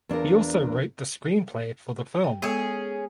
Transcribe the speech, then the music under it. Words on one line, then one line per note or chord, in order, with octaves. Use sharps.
He also wrote the screenplay for the film.
E2 D4 F4 A#4
G5
G#3 B3 C#4 G#4 A4